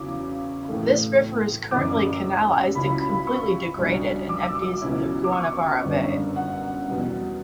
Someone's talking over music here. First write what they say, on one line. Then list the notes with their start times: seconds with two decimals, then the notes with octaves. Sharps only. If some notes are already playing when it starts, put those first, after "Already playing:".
This river is currently canalized and completely degraded, and empties into Guanabara Bay.
Already playing: E2 C#3 F#3 C#4 E4 D6
0.68 A2 E3 A3
1.71 G1 F#2 E3 D6
2.75 C#2 C#3 F#3 C#4 E4 B5
3.01 B5
3.27 C#6
3.78 B1 B2 G3 B3 D4
4.29 D6
4.42 E6
4.55 D6
4.81 C#2 B2 F#3 C#4 E4
5.24 D6
5.33 C#6
5.84 G1 F#2 D3 G3 B3
6.36 F#5
6.88 E2 B2 G3